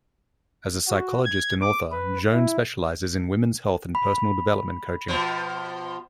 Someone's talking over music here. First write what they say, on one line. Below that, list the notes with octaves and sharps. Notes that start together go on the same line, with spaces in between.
As a psychologist and author, Joan specializes in women's health and personal development coaching.
F#4
G#6
D6
B4
E4
B5
B2 F3